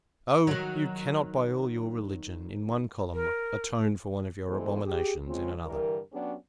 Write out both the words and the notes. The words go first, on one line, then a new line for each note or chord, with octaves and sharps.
Oh! you cannot by all your religion, in one column, atone for one of your abominations in another!
D#3 F#3
A#4
E3 G3 G#3 B3 A4 C5
G4 G#4
C#3 G#3 C4 F4
G2 D3 E3 A#4
F#3 B3 C#4 D4 G4